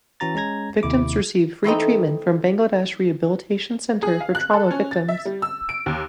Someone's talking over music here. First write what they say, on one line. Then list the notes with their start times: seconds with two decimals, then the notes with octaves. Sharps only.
Victims received free treatment from Bangladesh Rehabilitation Centre for Trauma Victims.
0.20 E3 C#4 F#4 A#5 A6
0.35 G#3 C#4 A#5 G#6 A#6
0.83 D#2 C3 E4 D6
1.64 E3 A3 C4 D#4
4.03 G#4
4.20 F5
4.35 F#6
4.53 A4
4.71 C#4
4.91 A6
5.08 E5
5.25 G3
5.42 E6
5.69 D7
5.86 D#2